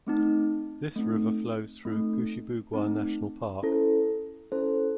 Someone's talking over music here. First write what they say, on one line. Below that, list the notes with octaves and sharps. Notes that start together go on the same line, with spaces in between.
This river flows through Kouchibouguac National Park.
A3 C4 D#4
A3 C4 D#4
A3 C4 D#4
A3 C4 D#4
C#4 E4 A4 C5
C#4 E4 A4 C5